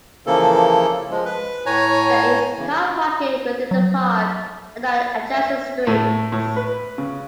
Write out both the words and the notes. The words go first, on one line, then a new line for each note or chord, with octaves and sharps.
There is car parking within the park and on adjacent streets.
C#3 E3 F3 A#3 A4
F3 G#3
B4
A2 C#5 G#5 A#5
C#3 E3
F#3
E5
A2
A2
B4
C#3